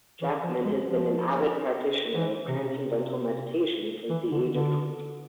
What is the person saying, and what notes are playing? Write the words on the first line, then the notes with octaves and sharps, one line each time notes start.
Jackman has been an avid practitioner of Transcendental Meditation since the age of twenty.
E3
F3
G#3
F3
E3
C3
C3
E3
D3
D3